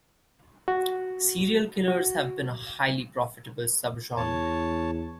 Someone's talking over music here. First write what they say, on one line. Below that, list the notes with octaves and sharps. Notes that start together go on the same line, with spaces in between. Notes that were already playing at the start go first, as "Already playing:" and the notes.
Serial killers have been a highly profitable subgenre.
F#4
F#4
E2 C#5 A5